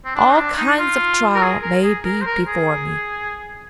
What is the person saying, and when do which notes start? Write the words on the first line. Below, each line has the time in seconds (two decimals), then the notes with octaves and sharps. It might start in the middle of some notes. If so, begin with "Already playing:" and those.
All kinds of trial may be before me.
0.05 C4
0.15 D4
0.31 C4
0.37 D4
0.57 D#4
0.79 F4
1.35 A#4
1.42 G#4
1.62 A#4
1.84 G#4
2.05 A#4
2.21 C5
2.26 A#4
2.46 G#4